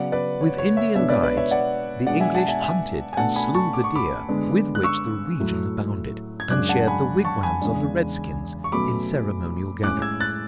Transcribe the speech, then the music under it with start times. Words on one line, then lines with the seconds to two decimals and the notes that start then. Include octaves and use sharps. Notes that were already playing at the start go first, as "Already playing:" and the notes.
With Indian guides, the English hunted and slew the deer with which the region abounded and shared the wigwams of the redskins in ceremonial gatherings.
Already playing: C#3 F#3 B3 D5 F#5
0.12 B4 D5
0.41 C#5
0.58 C#5
0.77 C#5 E5
0.95 B2 G#3 B3 D4 C#5 E5
1.10 B4 D5
1.23 B4 D5
1.37 C#5 E5
1.51 D5 F#5
2.06 B2 G#3 B3 D4 D5 F#5
2.20 E5 G#5
2.34 F#5 A5
2.48 E5 G#5
2.62 E5 G#5
3.13 G#5
3.17 B2 A3 D4 F#5 A5
3.36 G#5 B5
3.55 A5 C#6
3.73 D6
3.84 C#6
3.95 B5 D6
4.28 D3 G#3 B3 D4
4.75 F#6
4.84 C#6 E6
5.39 A2 F#3 A3
6.40 G#6
6.50 F#2 C#3 G#3 D4 D6 F#6
6.69 F#5 A5
6.87 G#5 B5
7.24 A5 C#6
7.43 G#5 B5
7.62 E2 C#3 G#3 D4
8.64 C#6
8.72 B2 F#3 A3 C#4 B5 D6
9.83 A2 G#3 C#4 D6 F#6
10.02 E6 G#6
10.20 F#6 A6